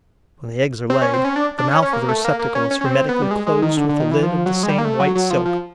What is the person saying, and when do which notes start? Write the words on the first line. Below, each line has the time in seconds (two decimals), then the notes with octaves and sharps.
When the eggs are laid, the mouth of the receptacle is hermetically closed with a lid of the same white silk.
0.90 C4
1.02 C#4
1.13 C4
1.24 C#4
1.36 D4
1.58 D4
1.71 C#4
1.82 C#4
1.93 A#3
2.09 A3
2.25 A#3
2.39 A#3
2.55 C#4
2.71 C#4
2.81 C#4
2.85 C4
3.09 B3
3.22 G3
3.31 G#3
3.47 G#3
3.62 D#3
3.77 D3
3.89 D3
4.00 D#3
4.11 E3
4.23 F3
4.46 F#3
4.63 G#3
4.69 G3
4.78 A#3
4.85 A3
5.00 F#3
5.15 F#3
5.30 F3
5.45 F3